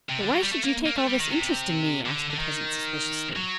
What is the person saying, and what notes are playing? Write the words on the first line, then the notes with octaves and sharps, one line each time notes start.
'But why should you take all this interest in me?' asked the peasant suspiciously.
C3
D3
F#3
G3
A3
A#3
A#3
A3
G3
D#3
C3
D3
D3
D#3
F#3